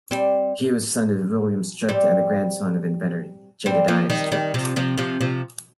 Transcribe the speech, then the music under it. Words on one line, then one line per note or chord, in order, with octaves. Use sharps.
He was son of William Strutt and the grandson of the inventor Jedediah Strutt.
G3 C4
G3 C4
G3 C4
F3 A#3
D#3 G3
D#3 G3
C3 F3
C3 F3
C3 F3
C3 F3